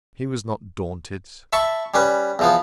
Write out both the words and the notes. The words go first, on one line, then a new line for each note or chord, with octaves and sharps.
He was not daunted.
E5 A5 B5 C#6
G3 C#4 B4
E2 F3 B3